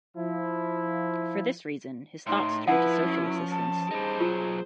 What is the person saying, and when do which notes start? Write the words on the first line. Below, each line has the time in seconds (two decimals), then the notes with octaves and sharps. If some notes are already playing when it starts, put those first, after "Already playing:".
For this reason, his thoughts turned to social assistance.
0.16 F3 E4
2.27 A2 D#4 C6
2.68 F3 E4 B4 F#5
3.04 C#4
3.51 A5
3.91 G3 D#4 G#4 C5
4.20 B1 F#3 F4